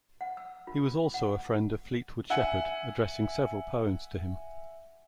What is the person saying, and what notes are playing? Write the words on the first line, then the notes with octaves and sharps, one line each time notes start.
He was also a friend of Fleetwood Shepheard, addressing several poems to him.
F#5
E6
F4
F#5
E5 F#5 G#5